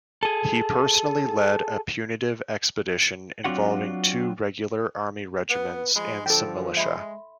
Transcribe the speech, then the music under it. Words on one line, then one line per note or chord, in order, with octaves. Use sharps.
He personally led a punitive expedition involving two Regular Army regiments and some militia.
G#4 A4
F#3 C4 D4 F4 F#4 F#5
B3 B4
F3 G#3 B5
D3 F3 A4 G5
G#3 E5 B5 C6